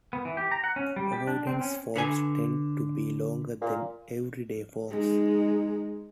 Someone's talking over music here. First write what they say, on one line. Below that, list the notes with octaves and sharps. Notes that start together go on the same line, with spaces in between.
Avoidance forms tend to be longer than everyday forms.
B3
E3
G4
A#5
F#5
C#4
G3
G4
D4
C4
C#4
D3 B4 G#5
A#2
G#3 D#4